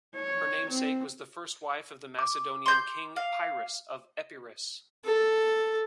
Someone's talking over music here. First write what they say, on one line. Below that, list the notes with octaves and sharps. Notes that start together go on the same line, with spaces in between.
Her namesake was the first wife of the Macedonian King Pyrrhus of Epirus.
C#5
C4
D6
C6 G6
F5
A4